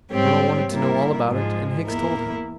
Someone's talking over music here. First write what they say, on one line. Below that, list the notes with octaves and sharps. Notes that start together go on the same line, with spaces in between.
The Colonel wanted to know all about it, and Hicks told him.
G#2 G3 C4 G4 C#5
G3 A#3 E4 A#4
G#2 F3 G#3
E2 E3 A#3 E4 A#4